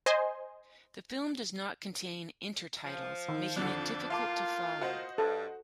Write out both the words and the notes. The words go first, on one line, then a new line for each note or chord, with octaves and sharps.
The film does not contain intertitles, making it difficult to follow.
C5 D#5 G#5 C6
F3
D#3
F2 D3 F3 D4
A2 A#3 F4 F5 A5 D6
F#4 C5 D#5
G2 A4